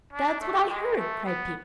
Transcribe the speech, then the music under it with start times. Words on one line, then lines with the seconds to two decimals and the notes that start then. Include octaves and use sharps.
"That's what I heard," cried Peter.
0.13 D4
0.41 A3
0.69 G#3
0.97 A3
1.25 B3